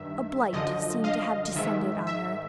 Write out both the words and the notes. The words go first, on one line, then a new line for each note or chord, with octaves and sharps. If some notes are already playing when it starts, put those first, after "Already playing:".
A blight seemed to have descended on her.
Already playing: G2 D#3 E5
F#2 D3 F3 D#5
D#5 F5
G#2 D#3 E5
E5